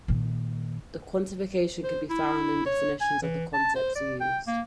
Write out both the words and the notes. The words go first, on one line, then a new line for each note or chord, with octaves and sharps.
The quantification can be found in the definitions of the concepts used.
A#2 D#3
C5
E4
C#5
G#5
E3
A5
C5
D5
G5
A#3